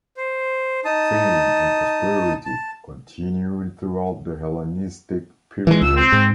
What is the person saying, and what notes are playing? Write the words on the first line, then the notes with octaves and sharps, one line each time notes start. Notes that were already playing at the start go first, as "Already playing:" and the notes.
Fame and prosperity continued throughout the Hellenistic period.
C5
D#4 A5 D#6
A5
E3 G#3
C#2 E6
C4
G#2